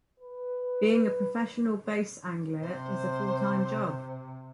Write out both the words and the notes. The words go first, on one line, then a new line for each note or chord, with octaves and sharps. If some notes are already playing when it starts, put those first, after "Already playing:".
Being a professional bass angler is a full-time job.
B4
C3 C5